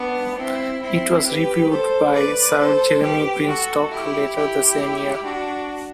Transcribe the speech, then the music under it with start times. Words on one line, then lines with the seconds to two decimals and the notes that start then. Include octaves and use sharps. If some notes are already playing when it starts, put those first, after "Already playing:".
It was reviewed by Sir Jeremy Greenstock later the same year.
Already playing: B3 D4
0.37 C4 E4
0.81 C4 E4
1.26 G4 B4
1.70 A4 C5
2.14 B4 D5
2.59 A4 C5
3.02 G4 B4
3.47 F#4 A4
3.91 E4 G4
4.35 E4 G4
5.24 D4 F#4